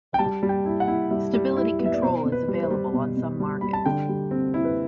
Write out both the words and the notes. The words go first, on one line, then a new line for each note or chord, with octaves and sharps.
Stability control is available on some markets.
G5
G3 A5
G3
G5
E4
F#5
E4
G3 E5
G3
E4
B3
E5
D5
B2 C5
B2
B4
G3
C5
G3
B2
B2
G3
G3 B5
A5
D3 G5
G3
C4
E4
B4